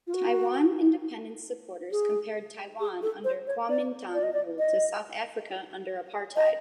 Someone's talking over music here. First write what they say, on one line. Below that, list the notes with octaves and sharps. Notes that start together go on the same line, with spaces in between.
Taiwan Independence supporters compared Taiwan under Kuomintang rule to South Africa under apartheid.
F4
F#4
G#4
G#4
A4
C5
C#5
D5
D5
D#5
D5
D#5
D#5